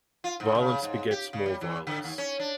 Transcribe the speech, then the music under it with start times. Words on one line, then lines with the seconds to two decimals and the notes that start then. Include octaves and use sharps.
Violence begets more violence.
0.24 F4
0.40 G#2
0.55 C#3
0.83 G#2
1.11 G4
1.33 C#3
1.46 G3
1.61 E3
1.87 D3
2.04 D#2
2.18 C#4
2.40 D4